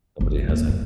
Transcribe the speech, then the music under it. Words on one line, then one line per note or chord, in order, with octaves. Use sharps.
somebody has it.
G1
A#3
G2